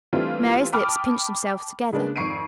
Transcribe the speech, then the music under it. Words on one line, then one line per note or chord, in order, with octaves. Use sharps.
Mary's lips pinched themselves together.
E3 G3 A3 C4 D4 F4
G5 A5 B5 D6 D#6 F6
C#3 G#3 A#3 D4 B4
G#1 F2 C#6 C7 D7 D#7